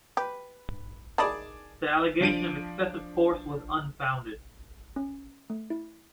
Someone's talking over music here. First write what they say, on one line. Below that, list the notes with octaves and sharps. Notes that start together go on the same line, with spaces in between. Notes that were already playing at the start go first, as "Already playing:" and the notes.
The allegation of excessive force was unfounded.
G4 B4
D#3 G#4 D5 D#5 A5 B5
F3 D4 D7 D#7
C#4
A3
E4